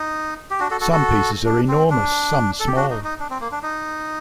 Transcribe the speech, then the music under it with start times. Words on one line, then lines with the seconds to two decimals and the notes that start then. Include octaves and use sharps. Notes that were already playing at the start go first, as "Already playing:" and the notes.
Some pieces are enormous, some small.
Already playing: D#4
0.51 G4
0.59 D4 F#4
0.71 F#4 A4
0.81 F#4 A4
0.93 F#4 A4
1.46 D4
1.68 C4
1.90 D4
2.60 A4
2.67 G4
2.76 D4 F#4
2.91 D#4
3.04 D#4
3.20 D4
3.30 C4
3.41 A#3
3.52 D4
3.63 D#4